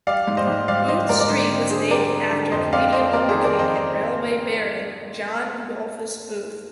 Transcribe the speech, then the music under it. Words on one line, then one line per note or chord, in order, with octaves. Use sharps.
Booth Street was named after Canadian lumber king and railway baron John Rudolphus Booth.
G3 D5 F5
G#2
C5 D#5
G#2
G3 D5 F5
G3 C5 D#5
G#2 A#4 D5
D5
D3 C5 D#5
C4
D3 G#4 C5
G3 A#4 D5
G3
D3
F2 C5 D#5
C4 D5 F5
F2 C5 D#5
C4 A#4 D5
D#3 G#4 C5
A#4 D5
C4 C5 D#5